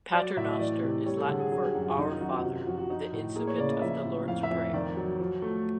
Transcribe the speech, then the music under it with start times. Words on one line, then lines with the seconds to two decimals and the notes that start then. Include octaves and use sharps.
"Pater noster" is Latin for "Our Father", the incipit of the Lord's Prayer.
0.13 F#3 D5
0.37 A2 E5
0.48 D#5
0.59 E3 D5
0.83 C3
1.06 G3 C#5
1.17 A4
1.28 D3 G#4
1.40 G#4
1.52 F#3 G#4
1.63 G4
1.74 F#2 F#4
1.86 F4
1.98 D#3 D#4
2.09 F4
2.21 F#2 F#4
2.32 F#4
2.43 C3 F4
2.56 F4
2.66 F3 F#4
2.78 F#4
2.90 F3 D#4
3.12 A2
3.35 A#3 G#4
3.47 C#5
3.58 C#3 D5
3.70 D#5
3.81 F3 E5
4.05 A2
4.28 F2 F5
4.43 E5
4.51 F2
4.73 D#3 D5
4.97 F#3
5.20 F3
5.42 A3